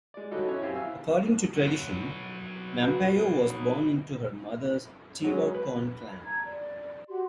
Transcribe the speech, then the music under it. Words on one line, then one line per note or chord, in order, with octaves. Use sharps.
According to tradition, Nampeyo was born into her mother's Tewa Corn clan.
G#3 D5
D3 F#3 G3 D#4 F#4 A4
C#4 E4 C#5
F#2 C4 G4 F5 G#5
E3 E5 F5 E6
F#3 B3
F#4 B4
D#4
F#3 G#3 C#4
B4
A5 A#5 G#6
D5
F#4 G4 C6